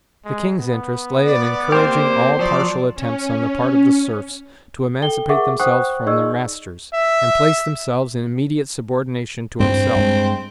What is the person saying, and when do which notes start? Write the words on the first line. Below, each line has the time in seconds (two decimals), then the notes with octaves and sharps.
The king's interest lay in encouraging all partial attempts on the part of the serfs to emancipate themselves from their masters, and place themselves in immediate subordination to himself.
0.25 G#3
0.59 B3
1.25 D5
1.72 A#3 C4 G4 C5
2.39 F3 F#3 D5
2.95 C#4
5.02 A4 G5 G7
5.29 G#4 A#4 E5 F#5 C#6 D6
5.60 C5 F#5 G5 C#6 D#6 F#6
6.06 D#4 G#4 D5 D#5 C#6 E6
6.94 E5
9.60 G2 C4
9.96 G2 G#3